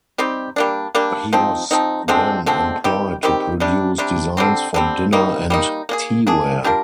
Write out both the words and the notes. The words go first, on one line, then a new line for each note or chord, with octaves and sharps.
He was then employed to produce designs for dinner and teaware.
G3 C4 D#4 G4
G3 A#3 D4
G3 A#3 D4
F3 C4 D#4
F3 C4 D#4
D3 F3 G#3 C4
D3 F3 G#3 C4
D#3 G3 C4 G4
D#3 G3 C4 G4
C3 G3 D4
C3 G3 D4
D3 G3 C4
D3 G3 C4
G3 A#3 D#4
G3 A#3 D#4
A#3 D4 G#4
A#3 D4 G#4
G3 D4 F4 A#4